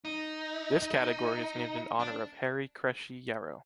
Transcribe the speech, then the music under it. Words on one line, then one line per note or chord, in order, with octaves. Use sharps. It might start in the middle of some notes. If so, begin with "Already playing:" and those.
This category is named in honour of Harry Crécy Yarrow.
D#4
D4